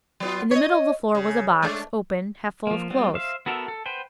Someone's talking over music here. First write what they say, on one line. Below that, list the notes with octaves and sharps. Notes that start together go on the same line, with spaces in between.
In the middle of the floor was a box, open, half full of clothes.
F#3 B3 F4
C#5 D#5
C#3
G#3 A3 D4
F3 A#3
G3 B3 C4 F4
C5 E5 F5
B3 F#4 A4 A#4 E5
A4
B4 C5 F#5 G5